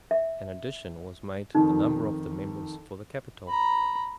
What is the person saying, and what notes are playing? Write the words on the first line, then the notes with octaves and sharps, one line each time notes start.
An addition was made to the number of the members for the capital.
E5
F2 D#3 D#4
A#5 B5